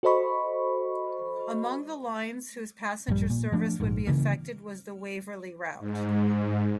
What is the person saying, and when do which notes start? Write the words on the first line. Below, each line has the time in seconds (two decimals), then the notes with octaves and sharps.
Among the lines whose passenger service would be affected was the Waverley Route.
0.03 F#4 A4 C5 D#5 B5 C#6
3.09 A#1 G2 G3
3.30 A#2
3.52 F3 A3 D4
3.80 A#1 G#2
4.07 C#3 E3 A#3
5.79 G#2